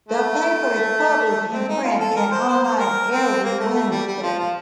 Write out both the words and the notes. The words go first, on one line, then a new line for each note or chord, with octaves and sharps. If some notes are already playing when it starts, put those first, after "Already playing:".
The paper is published in print and online every Wednesday.
A3
C4
D#4
F4
A4
A#4
C5
C5
C5
A#4
C4
A#3
A3
A3
G3
G3
F3
F3